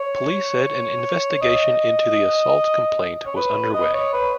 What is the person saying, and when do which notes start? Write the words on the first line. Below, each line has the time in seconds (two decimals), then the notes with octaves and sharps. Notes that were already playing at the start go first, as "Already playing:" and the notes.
Police said an investigation into the assault complaint was underway.
Already playing: C#5
1.41 D#5
3.26 C#5
3.36 B4
3.74 D#5
3.93 C#5
4.13 B4